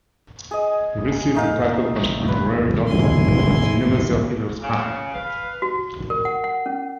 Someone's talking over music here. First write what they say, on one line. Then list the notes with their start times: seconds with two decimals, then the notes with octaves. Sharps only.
He received the title of an honorary doctor of the University of Hildesheim.
0.51 G#4 D#5
1.35 A3 D#4 F5
2.28 B4
2.87 G#3 E4 G#5 C6
4.62 C#3
5.14 B4 F5
5.62 F#4
6.10 A#4
6.25 F#5
6.44 F#5
6.66 C#4